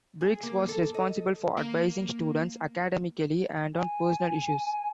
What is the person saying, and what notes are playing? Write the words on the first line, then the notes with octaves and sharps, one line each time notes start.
Briggs was responsible for advising students academically, and on personal issues.
G#4
A#3
A4
D#5
A#3
G#5